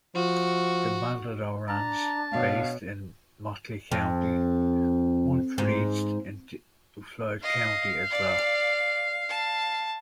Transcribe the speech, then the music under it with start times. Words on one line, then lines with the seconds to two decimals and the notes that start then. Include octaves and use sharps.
The Matador Ranch, based in Motley County, once reached into Floyd County as well.
0.15 F3 F#4
1.68 D4 A5 A#5
2.33 B2 C#5 F5
3.91 F2
5.58 G#2
7.43 D#5 F5
8.11 D5
9.29 A5